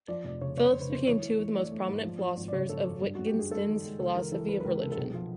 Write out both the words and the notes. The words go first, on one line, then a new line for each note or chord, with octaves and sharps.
Phillips became two of the most prominent philosophers on Wittgenstein's philosophy of religion.
F3 D5
F1 D5
C#3 C#5
C#3 C#5
C#3 C5
B4
C#3 C5
E3 C#5
E3
E3
A3 D5
A3
G#2
F3
F3
G#1
D5
C#3 C#5
G#1 A4
F#2
G2
G2 F#4
G4
G2 G#4
G#3 A4
D#3
G#3
C#2 A4
E3 A#4
E3 A4
C#2 B4
B4
C#2 A#4
C3 A4
A4
B1 G#4
F3